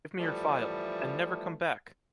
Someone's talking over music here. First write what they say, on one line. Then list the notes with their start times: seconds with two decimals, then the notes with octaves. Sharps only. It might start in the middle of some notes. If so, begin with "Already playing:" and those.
Give me your phial...and never come back!
0.18 E3 F3 G3 A3